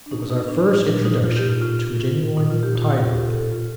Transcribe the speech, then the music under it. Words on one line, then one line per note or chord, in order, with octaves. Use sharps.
It was our first introduction to a genuine tide rip.
D4
A2 D#4
D#4
A2 D4
A#2 D4
D#4
A#2 F4
G4
F4
A2 F4
A2
A#2 D#4
F4
G4
A#2 F4
A2 G4
A4
A4
A2 F4